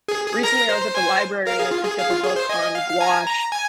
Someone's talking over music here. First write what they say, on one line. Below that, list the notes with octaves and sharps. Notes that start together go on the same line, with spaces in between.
recently I was at the library and I picked up a book on gouache,
G#4
G#4
A#4 A#5
C5
G#5
A#4 F5
G#4
F4
G#4
G#4 F5
F4
G#4
C5
D#5 G#5
F5
F5
G#5 A#5
A#5
G#5